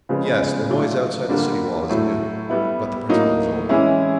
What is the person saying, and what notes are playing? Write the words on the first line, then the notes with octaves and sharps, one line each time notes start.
"Yes, the noise outside the city wall is new, but the principle is old."
C#3 F3 G#3 B3
A2 F#3 A3 D4 F4
D3 G3 A#3 D4 F4
A2 F#3 A3
G3 B3 E4
A2 F#3 A#3 D#4
E3 G#3 C#4 E4